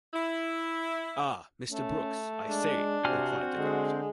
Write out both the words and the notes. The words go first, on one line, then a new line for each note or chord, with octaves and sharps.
'Ah, Mr. Brooks, I see,' replied the goat.
E4
A3 C#4
G#3 D4
C3 C4 F#4 G#5 F6
D3 G#3